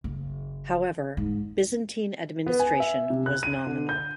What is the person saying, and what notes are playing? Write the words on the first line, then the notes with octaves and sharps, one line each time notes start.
However, Byzantine administration was nominal.
F#1
G#2
B3
G#5
E5
C3
F#6
D#7
D3
G6